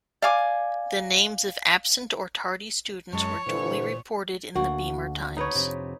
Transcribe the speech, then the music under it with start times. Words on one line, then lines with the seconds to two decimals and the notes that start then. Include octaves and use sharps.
The names of absent or tardy students were duly reported in the Beemer Times.
0.22 D5 F5 G#5 D6
3.13 F#2 F#3 G#3 C#5 A5
3.46 G2 A#2 D3 E3 C5
4.55 D2 A#3 F#4
5.37 D#4 B4 C#5
5.56 F2 C3